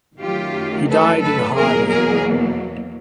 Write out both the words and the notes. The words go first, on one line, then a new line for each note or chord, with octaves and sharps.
He died in Halle.
F#2 D#3 F#3 A3 F4 G4
A4 B4
A4 B4
E2 B2 F#3 A#3 G#4 A#4
G#4 A#4